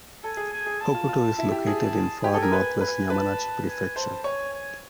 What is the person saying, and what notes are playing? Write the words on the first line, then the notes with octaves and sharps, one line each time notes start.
Hokuto is located in far northwest Yamanashi Prefecture.
A4 G#5
G#4
G#5
G#4
A5
F4
F4
E4
G4
G#4 A5
G4 G#5
A4
A#4
B4
B4 G#5
B4 A5
G#5
C5 A5
C#5 G#5
G#5